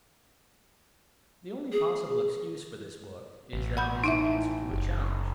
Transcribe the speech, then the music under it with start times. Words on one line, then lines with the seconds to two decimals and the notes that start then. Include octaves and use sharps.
THE only possible excuse for this book is that it is an answer to a challenge.
1.72 G#4
3.53 A1
3.77 F#5 B5 G6
4.04 D#4 E4 E5
4.71 F#1